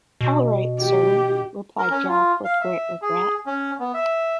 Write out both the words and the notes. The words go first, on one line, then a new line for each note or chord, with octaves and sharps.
All right, Sir, replied Jock with great regret.
B2
G4
A#4
C#4
F4
F5
E5
G#4
C#4
B3
E5